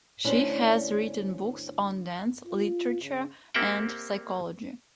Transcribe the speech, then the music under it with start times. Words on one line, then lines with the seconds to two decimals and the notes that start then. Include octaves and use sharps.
She has written books on dance, literature, and psychology.
0.25 D2 C#4 D4 E4 C5
2.47 F4
3.02 C#3
3.54 A#3 C4 G4 E5 F#5 G5